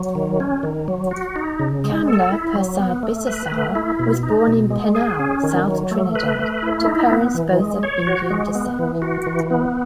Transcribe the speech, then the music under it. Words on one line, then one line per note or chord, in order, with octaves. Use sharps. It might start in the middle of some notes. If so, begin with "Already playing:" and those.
Kamla Persad-Bissessar was born in Penal, South Trinidad to parents both of Indian descent.
Already playing: F#3
D#3
C#4
D#3
F#3
F#4
D#4
C#3
G#3
A4
E4
F#3
B3
A3
B4
A3
E4
B2
D#4
B2
G#3
G#4
C#4
D#3
F#3
A3
B4
A3
E4
D#4
B3
E3
G#3
C#5
F#4
G#3
B3
E3
F#4
E3
B3